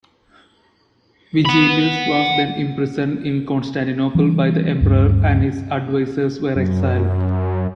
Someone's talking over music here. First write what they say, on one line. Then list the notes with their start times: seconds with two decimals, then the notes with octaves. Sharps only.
Vigilius was then imprisoned in Constantinople by the emperor and his advisors were exiled.
1.46 F#5 B5
4.15 E3 G3
4.81 D2 G2
6.56 F#2